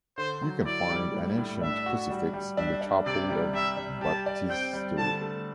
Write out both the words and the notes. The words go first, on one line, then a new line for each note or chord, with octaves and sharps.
You can find an ancient crucifix in the chapel of baptistery.
D3 C5
F#3
E4 D5
G3
A2
A2
D4 E5
F#4
G3
G3
D4 E5
D4
C3 D5
G3
G3 E5
G3
G4 A5
D5
C4 G5
G3
D3 A5
A3